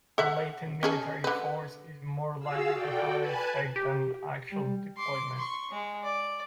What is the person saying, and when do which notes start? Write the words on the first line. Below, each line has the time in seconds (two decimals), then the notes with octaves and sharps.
A latent military force is more likely to have an effect than actual deployment.
0.18 A4 E5 F#5
0.83 C#4 G#4 A4
1.24 D3 B4
2.39 F4 F#4 G#4 F5 E6
2.73 F#4 A4 D5 G5
3.19 B4 G#5 A5 F#6 G#6
3.76 G4
4.51 G3
4.97 C6 D6
5.37 C6 C#6
5.71 G#3
6.03 D5